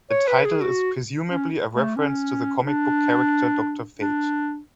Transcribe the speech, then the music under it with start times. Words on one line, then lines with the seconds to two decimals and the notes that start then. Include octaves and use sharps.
The title is presumably a reference to the comic book character Doctor Fate.
0.11 C#5
0.28 B4
0.45 G#4
0.61 F#4
1.29 C#4
1.75 A3
1.96 C#4
2.64 D4
4.00 D4